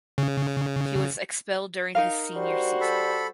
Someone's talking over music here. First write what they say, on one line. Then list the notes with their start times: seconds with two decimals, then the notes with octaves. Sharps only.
He was expelled during his senior season.
0.18 C#3
1.95 D#4 A#4 F5
2.36 G3 F#4 C5
2.81 A4 B5